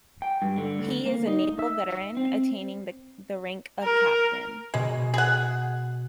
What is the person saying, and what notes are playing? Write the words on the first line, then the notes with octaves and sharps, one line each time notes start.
He is a naval veteran, attaining the rank of captain.
G5
G2
D3
D2
A#3
D#4
E5
C4
A#4
B2 G#3 D#5
G#4 F#5